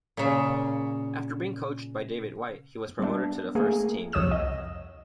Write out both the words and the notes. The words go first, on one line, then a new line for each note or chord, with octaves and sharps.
After being coached by David White he was promoted to the first team.
A#2 C#3
G3 B3 D4
A3 A#3 G#4
C2 F2 C#5 D#6 E6 E7
D#5